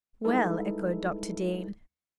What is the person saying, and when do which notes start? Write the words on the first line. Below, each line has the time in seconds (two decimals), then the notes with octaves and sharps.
"Well," echoed Dr. Dean.
0.24 G3 G#3 D#4 E4 A4 B4